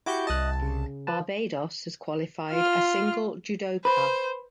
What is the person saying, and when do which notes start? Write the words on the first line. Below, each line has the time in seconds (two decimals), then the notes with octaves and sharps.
Barbados has qualified a single judoka.
0.06 E4 F#4 G4 D6 G6 C#7
0.27 C2 D#5 A5 D#6 F#6
0.62 C#3
1.07 B4 A5
2.52 F4 F6
3.85 B4 C5